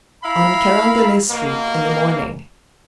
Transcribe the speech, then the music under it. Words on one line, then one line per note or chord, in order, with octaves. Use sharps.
On Carondelet Street, in the morning.
E4 E5 F5 A#5 B5
B2 A#3